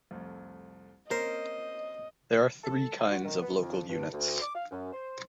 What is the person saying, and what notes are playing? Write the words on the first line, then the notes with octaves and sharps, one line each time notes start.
There are three kinds of local units.
C2 F2 A3
A#3 C4 C#4 A#4 C5 D#5
A4
F5
F#4
D#3
B3
F2
G2
D2
D6
F5
F#2
C5